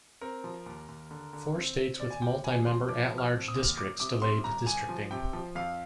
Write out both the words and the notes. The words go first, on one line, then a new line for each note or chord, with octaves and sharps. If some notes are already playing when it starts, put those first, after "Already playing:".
Four states with multi-member at-large districts delayed districting.
C4 A#4
F3
D#2
D#2
D3
D3
C4
C4
D#2 D5
G#5
D#2 G5
D#2 G#5
F3 C6
F3 D6
F3
F6
C4
D#6
D#2
G1 D6
C3 D6
C3 C6
G1 A#5
G1 G#5
F3
C3 G5
F3
F2 F5